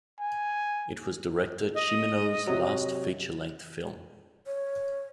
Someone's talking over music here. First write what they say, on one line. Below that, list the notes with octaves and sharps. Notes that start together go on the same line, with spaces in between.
It was director Cimino's last feature-length film.
G#5
D#5
C3 F#3
C#5